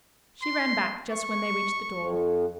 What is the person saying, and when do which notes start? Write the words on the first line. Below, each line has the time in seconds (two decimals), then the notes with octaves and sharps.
She ran back just when they reached the door.
0.42 C6
1.10 C#6
1.95 F2